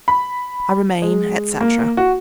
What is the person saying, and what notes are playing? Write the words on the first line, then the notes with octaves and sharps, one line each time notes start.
I remain, etc.
B5
G#3
A#3
F#4